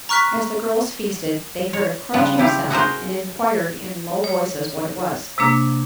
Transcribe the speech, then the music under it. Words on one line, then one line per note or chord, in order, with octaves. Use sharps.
As the girls feasted they heard a crunching sound and inquired in low voices what it was.
A#5 C#6 F6 F#6 B6
C#5
C#3 F3 G3 B3 D4
F3 E4 G4 F5
F#4 G#4 A#4 C5
C#5
C3 G#3 A#3 D4 A#5